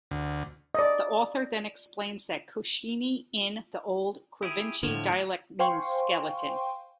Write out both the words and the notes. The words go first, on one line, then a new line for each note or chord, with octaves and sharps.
The author then explains that Koshchei-in the old Krivichi dialect-means "skeleton".
D2
D5 D#5
E4 G4 G#4
A2 D3 F3 C#5
C5 F5 G5 G#5 C6 C#6